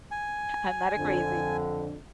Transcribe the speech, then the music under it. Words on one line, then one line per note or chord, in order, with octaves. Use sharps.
I'm not a crazy
G#5
F2 D3